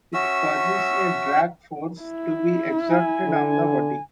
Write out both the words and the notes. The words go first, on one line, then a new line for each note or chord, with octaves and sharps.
It causes a drag force to be exerted on the body.
C#4 F#4 E5 E6
E4
G#5
D3